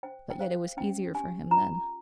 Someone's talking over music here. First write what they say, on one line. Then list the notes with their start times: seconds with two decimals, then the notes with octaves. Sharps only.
But yet it was easier for him then.
0.03 C5 G5
0.30 G5
0.39 C5 F5
0.77 C#4 G5
1.15 G4 G#5
1.51 F4 A#5